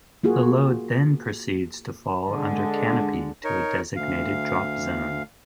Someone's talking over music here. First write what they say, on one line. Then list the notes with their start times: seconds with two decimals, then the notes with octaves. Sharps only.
The load then proceeds to fall under canopy to a designated drop zone.
0.24 A#3 F4 F#4 G#4
2.27 D3 G#3
3.44 D#4 A#4 C#5
3.96 D2 F5